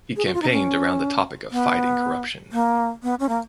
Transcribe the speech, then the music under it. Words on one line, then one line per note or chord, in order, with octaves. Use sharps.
He campaigned around the topic of fighting corruption.
G#4
F#4
F4
D#4
C#4
B3
A#3
B3
C#4
A#3